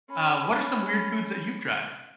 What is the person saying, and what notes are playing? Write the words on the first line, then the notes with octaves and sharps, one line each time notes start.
Uh, what are some weird foods that you've tried?
C#4 B5